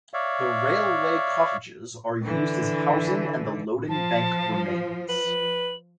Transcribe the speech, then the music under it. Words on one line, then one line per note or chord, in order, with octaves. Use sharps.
The railway cottages are used as housing and the loading Bank remains.
C#5 D5 E5 F5
D3 E3
F3 A5
B4 F#7